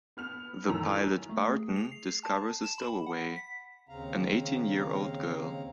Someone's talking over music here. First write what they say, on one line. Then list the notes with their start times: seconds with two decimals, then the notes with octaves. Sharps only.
The pilot, Barton, discovers a stowaway: an eighteen-year-old girl.
0.17 B3 F6 F7
0.67 F#2 A2 D#3 A#5 E6 F7
1.29 A3
1.49 G#4
1.76 F7
1.92 C7
2.23 A5
2.64 E7
2.78 B5
3.06 F#5
3.36 B6
3.89 D#2 C#3 C4 F5 A#5